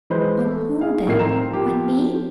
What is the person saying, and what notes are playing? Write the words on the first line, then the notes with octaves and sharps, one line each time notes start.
"On whom, then!--on me?"
E3 G#3 B4 C5
A3
G#4 F5
A2 C3 D#3 A#3 A#4 C7
C4 D#4 A#5 E7
F3 A#3 G4